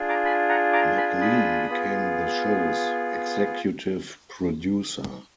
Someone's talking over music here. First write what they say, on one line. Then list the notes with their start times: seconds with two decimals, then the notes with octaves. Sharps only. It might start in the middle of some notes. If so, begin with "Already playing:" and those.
McLean became the show's executive producer.
Already playing: D4 F4 G#4
0.09 A#5 D6
0.25 G#5 B5
0.49 F#5 A#5
0.73 A#5 D6
0.97 G#5 B5
1.21 B5 D#6
1.69 B3 F4 G#4